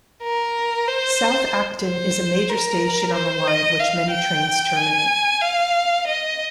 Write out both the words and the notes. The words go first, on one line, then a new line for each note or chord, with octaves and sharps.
South Acton is a major station on the line at which many trains terminate.
A#4
C5
C5
A#4
C5
D#5
F5
G5
G#5
F5
D#5